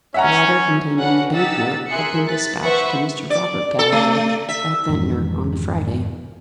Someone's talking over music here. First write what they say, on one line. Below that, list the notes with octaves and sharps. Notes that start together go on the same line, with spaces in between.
The letter containing the bank-note had been despatched to Mr. Robert Galloway, at Ventnor, on the Friday.
C#4 E5 F#5 A#5
C#4 D4 F#4 B4 F#5
D#4 G4 F#5 E6 A6 B6
G#4 A#4 E5 C6 F#6 C#7
F#6 A6 B6
B4 C5 E5 F#5 C#6
D5
A4
A3
E5
G#1 F2 G#2 E3